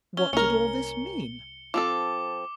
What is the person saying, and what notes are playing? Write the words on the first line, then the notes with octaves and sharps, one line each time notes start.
What did all this mean?
C#4 G7
C2 A#3 C#4 A#4 C#7
F3 C4 A4 D6